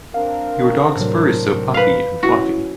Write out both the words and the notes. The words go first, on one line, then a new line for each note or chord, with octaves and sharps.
Your dog’s fur is so puffy and fluffy.
C4 D4 A#4 F5
A2 C3 F#3
B4 F5
F#3 C#4 E4 F#4